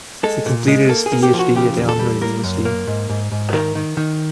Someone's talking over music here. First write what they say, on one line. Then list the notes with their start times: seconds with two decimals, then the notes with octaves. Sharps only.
He completed his Phd at Andhra University.
0.23 G#3 A4
0.46 A#2
0.68 G#3
0.89 A#3 A4
1.06 G#4
1.12 A#3
1.23 G4
1.34 F3
1.39 F#4
1.55 C#3 G4
1.77 E2
1.89 A4
1.99 G3
2.21 A#3 A#4
2.44 F#2
2.65 A#3
2.87 G#2
3.09 G#2
3.31 G#2
3.53 D#3 A#4
3.75 D#3
3.97 D#3